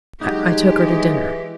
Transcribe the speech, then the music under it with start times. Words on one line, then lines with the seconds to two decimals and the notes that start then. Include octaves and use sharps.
I took her to dinner.
0.21 F#3 G#3 D#4 G4
0.83 E3